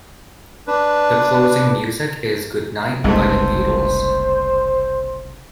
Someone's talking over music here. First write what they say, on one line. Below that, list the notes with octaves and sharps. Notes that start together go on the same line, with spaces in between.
The closing music is "Good Night" by The Beatles.
D4 B4
F#1 C2 G#2 C3 A3 C5